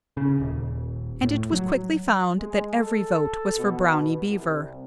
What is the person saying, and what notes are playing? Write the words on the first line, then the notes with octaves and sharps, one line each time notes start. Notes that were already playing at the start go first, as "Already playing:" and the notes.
And it was quickly found that every vote was for Brownie Beaver.
C#3
D#1
A2
F#3
G#3
A4
B2
C2